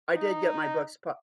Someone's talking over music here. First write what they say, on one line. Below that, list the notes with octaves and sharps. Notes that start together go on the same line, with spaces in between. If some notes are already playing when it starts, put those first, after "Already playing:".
I did get my books pu
D#4